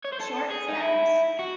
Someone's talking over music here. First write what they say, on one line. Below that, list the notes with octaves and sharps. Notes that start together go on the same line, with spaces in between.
Short stems.
C#5
C5
A4
G#4
D#4
E4
F#4